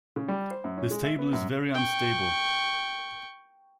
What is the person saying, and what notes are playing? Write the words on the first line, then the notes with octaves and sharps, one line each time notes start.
This table is very unstable.
C#3
G3
C5
F#2
C#4
G#3
E5
B3
F#2
G5 C#6